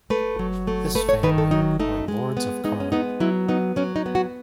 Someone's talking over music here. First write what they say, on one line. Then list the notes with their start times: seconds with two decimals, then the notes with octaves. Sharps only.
This family were Lords of Carra.
0.10 A3 B4
0.39 F#3
0.67 A3
0.95 A3 B4
1.09 C#5
1.23 D#3 B4
1.38 A4
1.51 F#3 D#4
1.80 A3 D#4
2.08 G#3
2.37 B3
2.64 G#3 D#4
2.80 C#4
2.92 B3 D#4
3.20 F#3 E4
3.48 B3 D#4
3.76 F#3 C#4
3.96 D#4
4.06 B3
4.15 F#4